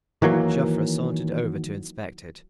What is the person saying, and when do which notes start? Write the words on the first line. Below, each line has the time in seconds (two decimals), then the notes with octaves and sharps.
Joffre sauntered over to inspect it.
0.22 D#3 E3 F#3 A#3